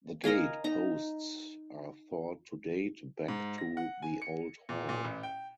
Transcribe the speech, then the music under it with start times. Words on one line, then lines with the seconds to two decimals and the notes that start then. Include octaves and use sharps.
The gate posts are thought to date back to the Old Hall.
0.24 A#4 D#5 F5 G#5
0.64 D#4 A#5
3.28 G#2
3.58 A#6
3.77 F#5
4.02 G#5
4.22 C#7
4.69 A#2
4.89 A#2
5.05 A1
5.23 G5